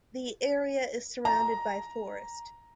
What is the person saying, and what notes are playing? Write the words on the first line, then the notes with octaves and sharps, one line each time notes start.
The area is surrounded by a forest.
A#5